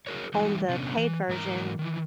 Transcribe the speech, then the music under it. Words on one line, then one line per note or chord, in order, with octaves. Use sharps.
on the paid version,
F#4 G#4 A#4 C#5
E3 G3 A3 D#4 F#4 G5
C3 F#3 B3 C#4 D4 A4
E3
G#2 E3 A#4 A#5
D#3 E3